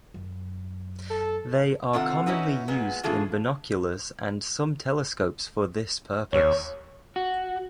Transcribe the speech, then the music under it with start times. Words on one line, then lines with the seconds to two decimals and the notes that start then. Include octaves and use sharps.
They are commonly used in binoculars and some telescopes for this purpose.
0.14 F#2
1.10 A4
1.93 C3 D#3 C4 F4 A4 F#5
2.26 C#4 D#4 E4 F#4 B4
2.68 A#2 G#3 B3
3.03 C#3 E3 D4 F4 G#4 A4
6.33 D#2 C#5
7.16 F#4